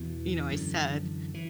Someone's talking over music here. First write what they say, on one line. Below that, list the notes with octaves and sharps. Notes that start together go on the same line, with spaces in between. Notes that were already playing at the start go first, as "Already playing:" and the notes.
you know, I said"
Already playing: E2 B2 E3
F#2 D3
E3